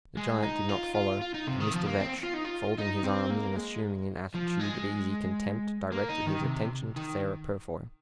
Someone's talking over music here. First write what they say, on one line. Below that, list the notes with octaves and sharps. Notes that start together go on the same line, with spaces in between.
The giant did not follow; and Mr. Vetch, folding his arms, and assuming an attitude of easy contempt, directed his attention to Sarah Purfoy.
G#3
D#4
F4
F4
F4
D#4
C3
D#3
F3
A#3
C4
F4
D#4
F4
D#4
C4
A#3
G#3
F3
G#3
A#3
D#4
D#3
C3
D#3